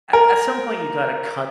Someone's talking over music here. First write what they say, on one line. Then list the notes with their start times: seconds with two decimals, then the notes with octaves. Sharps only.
a at some point, you gotta cut
0.13 A#4